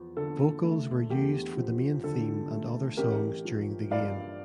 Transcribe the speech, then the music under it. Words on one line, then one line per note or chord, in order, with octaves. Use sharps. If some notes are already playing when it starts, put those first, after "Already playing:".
Vocals were used for the main theme and other songs during the game.
Already playing: E2 F3
D3 A4
A3
E2 G4
F3
D3 A4
A3
A1 G4 A#4
F3
G2 D5 F5